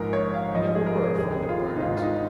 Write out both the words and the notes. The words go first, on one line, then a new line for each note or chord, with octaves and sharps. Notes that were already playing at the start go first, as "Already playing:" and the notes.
"You never were a friend of Bernard's."
Already playing: A#1 G#2 F3 A#4
C#5
F5
A#1 G#2 F3 D#5
G#4
A#4
F1 D#2 D#3 G#4
F4
D#4
G#1 G#2 D#3 F4
F4
D#4